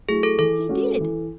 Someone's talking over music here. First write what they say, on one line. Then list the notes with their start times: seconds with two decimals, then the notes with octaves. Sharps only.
"He did."
0.09 F#3 A3 E4 G#4
0.23 A4
0.39 E3 A4
0.69 G#3 C#4 F#4
1.01 E3